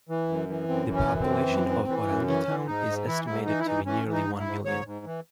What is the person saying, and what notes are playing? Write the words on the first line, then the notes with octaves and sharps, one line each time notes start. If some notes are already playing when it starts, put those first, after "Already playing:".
The population of Orangi Town is estimated to be nearly one million.
E3
F#2
E3
F#2 C4
E3
C#4
F#2
C4
E3
F#2
E3
E3
F#2
E3 C#4
E3
G#2 D#4
G#2
E3 E4
G#2 E4
E3 D#4
E4
E3 D#4
E3 C#4
E3
D#4
G#2
E4
G#2
G#2 C#5
G#2
E3